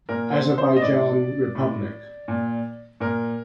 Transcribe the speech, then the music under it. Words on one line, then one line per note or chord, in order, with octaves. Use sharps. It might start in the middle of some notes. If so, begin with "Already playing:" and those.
Azerbaijan republic.
A#2 A#4
C5
C5
D#5
A2 D5
A2
A#2
A#2 A#4